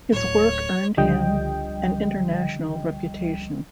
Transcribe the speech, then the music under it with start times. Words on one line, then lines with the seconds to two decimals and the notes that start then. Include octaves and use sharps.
His work earned him an international reputation.
0.13 D1 A3 C#5
0.97 C#2 D3 F3 G3 D#5 G5